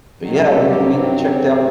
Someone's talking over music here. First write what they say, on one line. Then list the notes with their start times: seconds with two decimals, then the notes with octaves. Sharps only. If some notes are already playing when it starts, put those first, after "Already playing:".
but, yeah, we we checked out
0.20 G2 D#3 F#3
0.42 A3 A4
0.64 G3 G4
0.87 C3 C4
1.54 A2